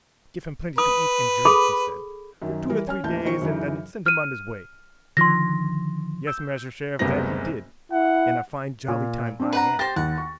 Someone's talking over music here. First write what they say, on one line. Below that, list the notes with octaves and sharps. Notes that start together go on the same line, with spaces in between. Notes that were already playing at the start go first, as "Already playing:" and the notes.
'Give him plenty to eat and drink,' he said, 'for two or three days, and then send him on his way.' Yes, Master Sheriff, that he did, and a fine jolly time I had.
B4 D#6
G#4 A4 B5
F#2 D#3
E3 G3 A#4
C#4 G#5 F6
A1 D#2 E3 A5 G6
B1 D#3 C5 C#6 C#7
F#2 C#3 E3 D#4
F6 D#7
D3 D#3 F3 C6 A#6
E6 G6
F#1 D2 C3 G3 B3 A#6
E4 F#5
A#2
C4 D4
B4 F#5 A#5
G4 C5 A6 A#6
D#2 F#5
C#6